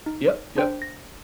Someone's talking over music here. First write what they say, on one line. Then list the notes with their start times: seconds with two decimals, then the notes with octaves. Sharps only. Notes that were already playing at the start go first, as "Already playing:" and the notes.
Yep, yep.
0.06 D#4
0.57 D4 C5 G5
0.82 A#6